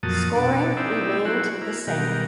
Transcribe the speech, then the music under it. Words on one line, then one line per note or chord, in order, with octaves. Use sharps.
Scoring remained the same.
F2 A#2 F#3 A5 D#6
B2 D4 A4
C4 D#4 E4 D5 E5
F#3 E4 F#4 C5
A#3 E4
B2 D#3 F#3 G3 A#4